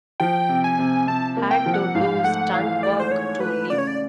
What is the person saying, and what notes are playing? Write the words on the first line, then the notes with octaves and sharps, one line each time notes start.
Had to do stuntwork to live.
F3 G5
C3
G#5
C3
C3 A5
A#3
G5
F3
F#5
G#2 F5
A3 F#5
E3 F5
A3 D5
C5
E3 C#5
A3 B4
C#3 D5
C#5
D5